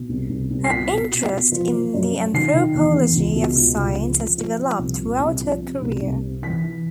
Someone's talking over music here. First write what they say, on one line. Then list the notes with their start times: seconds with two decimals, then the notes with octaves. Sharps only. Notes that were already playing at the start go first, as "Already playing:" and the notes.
Her interest in the anthropology of science has developed throughout her career.
Already playing: B2
0.09 C2
0.30 C2
0.50 C2
0.64 C7
0.70 B2 B6
0.91 B2
1.12 B2
1.32 B2
1.52 F3
1.72 F3
1.94 F#2
2.14 F#2
2.34 D#3 C7
2.54 D#3
2.75 E2
2.95 E2
3.15 C#2
3.36 B2
3.56 C#2
3.76 C#2
3.97 F3
4.18 F3
4.38 F3
4.58 F3
4.79 C2
4.99 A#2
5.20 C2
5.41 F3
5.61 C3
5.82 C2
6.02 C2
6.22 C3
6.42 E3 B6
6.64 E3